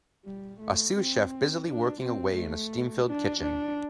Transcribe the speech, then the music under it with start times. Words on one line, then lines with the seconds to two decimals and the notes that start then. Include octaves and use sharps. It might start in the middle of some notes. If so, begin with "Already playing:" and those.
A sous chef busily working away in a steamfilled kitchen.
0.25 G3
0.60 A3
0.96 C4
1.66 D4
2.01 C4
2.36 A3
3.06 D4
3.42 D4